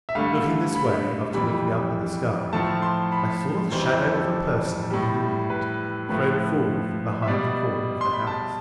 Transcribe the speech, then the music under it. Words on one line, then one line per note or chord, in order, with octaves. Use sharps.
Looking this way, after looking up at the sky, I saw the shadow of a person in the moonlight thrown forward from behind the corner of the house.
E5
G2 D3 A3 F5
B5
F2 E3 G3 B5
A2 F3 A3 A5
C6
B5
F2 E3 G3 C5
A4
A2 G3
B4
A2 F3 A3 B4
E5
B2 G3 D5
C6
B5
A5